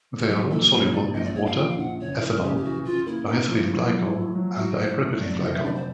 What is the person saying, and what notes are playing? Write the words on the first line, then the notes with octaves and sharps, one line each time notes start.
They are all soluble in water, ethanol, diethylene glycol and dipropylene glycol.
F#4
F#3 G4
A#2 A4
A#2 C5
C#5
A#2 D5
A#1 D#5
D5
A#1 C#5
F5
F3 G5
F5
A#1 F#5
F#1 C#5
E3 A#4
C#3 G4
G4
E3 F#4
C#3 F4
A#3 E4
A#3 D#4
F3 E4
F#3
F#3
A3
F#3
A2 F#4
A3 C5
A3
F#3 D5
F1 D#5
E5
D3 D5
C5